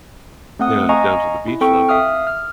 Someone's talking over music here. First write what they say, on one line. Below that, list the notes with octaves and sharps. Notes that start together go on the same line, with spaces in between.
you know, down to the beach level,
A3 C4 F#5 D#6
D#5 F5 G#5 A#5 C#6
E4
C4 A4 G5 C#6
E5 F5 D#6 F6
F6